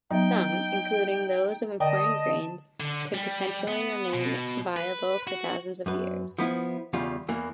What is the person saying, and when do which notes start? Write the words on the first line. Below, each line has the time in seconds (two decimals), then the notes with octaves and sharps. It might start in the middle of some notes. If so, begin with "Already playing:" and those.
Some, including those of important grains, could potentially remain viable for thousands of years.
0.11 F#3 B3 D#4 E5 G5
1.80 D3 D5 D#5 G5 A5
2.80 D3
3.14 G3
3.68 B3
4.14 B2
4.76 B4
5.27 F#4
5.86 F#2 B4
6.38 F3 B3 E4
6.93 E2 C#3 G3 F4
7.28 E2 E3 A#3